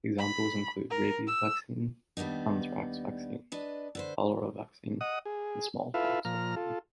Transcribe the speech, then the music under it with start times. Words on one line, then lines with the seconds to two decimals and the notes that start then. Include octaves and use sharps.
Examples include rabies vaccine, anthrax vaccine, cholera vaccine and smallpox vaccine.
0.19 B5
0.91 A#4
1.27 E6
2.17 D#2 G3 B3 D4 D#4
3.52 D4 B4 D#5
3.95 D3 B4 C5
5.01 D#5 F#5 D#6
5.25 G#4
5.94 E4 F4 A4 B4 E5 F5
6.25 A#2 F3 A#5 F6
6.56 F4 A4